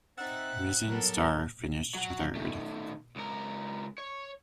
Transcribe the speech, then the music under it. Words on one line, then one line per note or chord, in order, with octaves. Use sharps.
Risen Star finished third.
C4 D#4 E5 F#5 F#6 A6
F#3 G3 B3 A4 A#4
F#3 F#5
D#3 A3
C#2 A#4
C#5